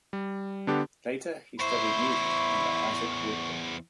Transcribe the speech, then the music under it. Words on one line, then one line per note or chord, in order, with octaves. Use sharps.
Later he studied music under Isaac Woodbury.
G3
D3 B3 D4 G4
E2 E4 C5 B5 C#6